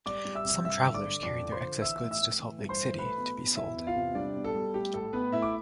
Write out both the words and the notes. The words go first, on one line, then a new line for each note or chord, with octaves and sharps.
Some travelers carried their excess goods to Salt Lake City to be sold.
G3 D5 D6
G3
E5 E6
C3
G2 E5 E6
D3
D5 D6
D3
F2 D5 D6
F3
C5 C6
D3
E3 E5 E6
E5 E6
A2
E5 E6
A2
E3
G2
C5 C6
E3
A3 B4 B5
B2
B2
E2 E4 E5
E2
F4 F5
C3
G3 D4 D5
B2
A4
G3
A3 G4
A2 A4
A2 B3 B4
A3 E4 E5
D6